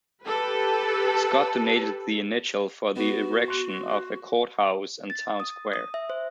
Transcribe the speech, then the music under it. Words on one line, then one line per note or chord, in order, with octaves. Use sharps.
Scott donated the initial for the erection of a courthouse and town square.
G4 A4 B4
B3 F#4
C6 F#6
A6
D#6
D#6
E5
C5